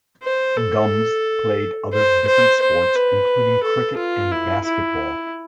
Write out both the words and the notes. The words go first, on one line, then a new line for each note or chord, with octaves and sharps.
Gumbs played other different sports, including cricket and basketball.
C5
A4
C5
C5
C5
B4
A4
F4
E4
E4